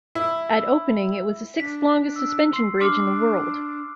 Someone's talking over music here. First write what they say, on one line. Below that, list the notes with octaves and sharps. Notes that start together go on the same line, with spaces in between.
At opening, it was the sixth-longest suspension bridge in the world.
E4
D4 B6
E6
C6 C7
D4 C6 D6 F6